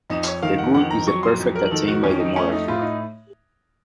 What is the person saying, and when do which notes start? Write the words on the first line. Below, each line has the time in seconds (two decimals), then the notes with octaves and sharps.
The good is the perfect attained by the moral will.
0.10 F2 D#4
0.26 C#5
0.42 D#3 F5
0.58 F#5
0.74 F2 F#5
0.91 A#5
1.07 F#3 C#6
1.23 C6
1.39 F2
1.55 A#4
1.71 D#3 A4
1.88 F#4
2.03 F2 C#4
2.20 D#4
2.36 A3 C#4
2.52 D#4
2.68 A2 F4
2.82 D#4